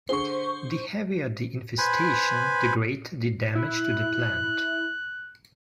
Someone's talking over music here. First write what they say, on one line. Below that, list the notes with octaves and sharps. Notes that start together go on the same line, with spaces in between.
The heavier the infestation, the greater the damage to the plant.
D3 G#4 C5 C#6
B4 C5 G#5 B5
E4 F#6